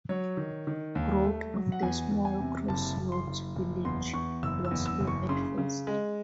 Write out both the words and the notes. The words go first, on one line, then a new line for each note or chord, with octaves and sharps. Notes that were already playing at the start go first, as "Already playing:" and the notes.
Growth of the small crossroads village was slow at first.
F#3 C#5
D#3
D#3
D#2
A3
F#3
F#5
E2 G#5
E2
G#5
C3
F#1 A5
F#1
C6
F#1
F#1
E2 C6
E2 C#6
F#1 E6
E6
E2
E6
F#1
C#6
C#3 C6
C#3
G#3